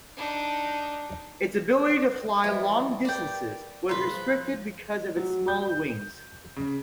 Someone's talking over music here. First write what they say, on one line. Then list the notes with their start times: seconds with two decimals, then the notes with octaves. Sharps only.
Its ability to fly long distances was restricted because of its small wings.
0.16 D4 D#4
2.44 E3 F3 G3 E4
3.05 G4 A#4 B4 D5 G5
3.89 C2 A#2 C#3 B4 C6
4.14 F3
5.17 F#3
5.48 G6
6.56 C#3